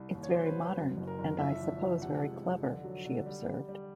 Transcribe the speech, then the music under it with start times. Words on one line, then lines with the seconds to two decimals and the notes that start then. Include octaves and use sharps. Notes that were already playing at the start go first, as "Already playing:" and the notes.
"It's very modern, and I suppose very clever," she observed.
Already playing: C2
0.15 D#2
0.23 C#5
0.33 F#3 C5
0.46 B4
0.56 F#3
0.77 F#2
0.97 F#1
1.07 A#4
1.19 F#1
1.38 F3 E5
1.60 G#1
1.81 F3
2.02 C3 F#5
2.23 G#3
2.42 F2
2.64 D3
2.84 F#3
3.05 D3
3.26 G3
3.46 G3
3.68 G3